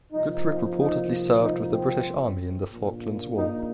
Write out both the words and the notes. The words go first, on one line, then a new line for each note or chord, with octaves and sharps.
Goodrick reportedly served with the British Army in the Falklands War.
C2 C3 F3 A#3 D#4
D#4
D#4
D#4
C4
A#1 A#2 A#3
D#4